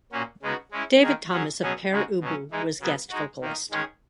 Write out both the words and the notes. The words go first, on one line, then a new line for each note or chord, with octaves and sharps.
David Thomas of Pere Ubu was guest vocalist.
A#2 A#3 C#4 F#4
C#3 G#3 B3 D#4 F#4
G#3 C#4 E4
D#3 A#3 D#4 G#4
F#3 C#4 G#4
B2 F#3 C#4 G#4
C#3 G#3 D#4 F#4
B2 F#3 C#4
E3 G#3 D#4
C#3 F#3 B3
G#3 D#4 F#4
D#3 A#3 D#4
D#3 G#3 C#4 G#4